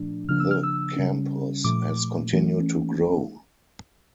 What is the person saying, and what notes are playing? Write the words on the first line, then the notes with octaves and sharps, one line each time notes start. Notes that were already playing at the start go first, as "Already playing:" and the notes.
The campus has continued to grow.
Already playing: A#2 F3 A3 D4
C#3 F3 A#3 D4 F6
E6
F6
E6
C#3 G3 C#4
A#2 F3 A3 D6
E3 A3 C#4